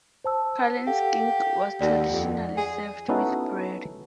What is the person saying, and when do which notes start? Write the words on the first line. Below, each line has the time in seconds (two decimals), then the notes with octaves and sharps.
Cullen skink was traditionally served with bread.
0.24 C5 A5 E6
0.87 G4 A4 F5 F#5
1.81 D#2 D5 F#5
2.11 F2
2.57 G#4
3.09 B3 C#4 D#4 E4 F#4 A4